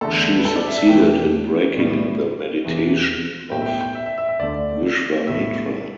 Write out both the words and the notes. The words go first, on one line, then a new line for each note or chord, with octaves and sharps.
She succeeded in breaking the meditation of Vishwamitra.
E2 D3 A3 A4
B4
A4
D5
E5
E5
E1 E2 E3 A3 G5
B1 A2 G3 B3
E1 E2 E3
B1 A2 A3 G5
E5
G5
G5
E5
E5
E5
E5
D2 D3 A3 D5
B1 A2 A3 E5